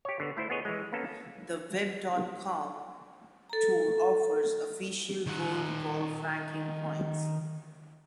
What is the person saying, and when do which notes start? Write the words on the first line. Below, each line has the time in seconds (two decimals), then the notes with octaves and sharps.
The Web dot com Tour offers Official World Golf Ranking points.
0.05 G4 C#5
0.20 D3 B3
0.37 A3 E4 C5
0.50 B3 G#4 C#5 D#5
0.65 E3 G#3
0.93 A#3 B3 C#4 A4
3.50 A4 A#5
5.27 D#3 F#5